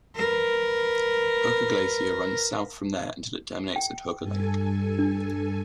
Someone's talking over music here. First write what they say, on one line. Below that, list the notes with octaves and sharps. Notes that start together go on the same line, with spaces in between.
Hooker Glacier runs south from there until its terminus at Hooker Lake.
A#4 B4
G5
G2 A4 G#5
D4